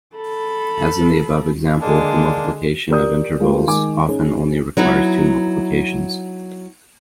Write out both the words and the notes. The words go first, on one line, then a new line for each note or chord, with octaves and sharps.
As in the above example, the multiplication of intervals often only requires two multiplications.
A4 B5
D3 G#3 A#3 D4
G4 A#4 D5 D#6 G6
G#3 A#3 F4 G4
D#3 G#3 G#5 D6
C#4 D#4 G#4
F#3 B3 D#4 E4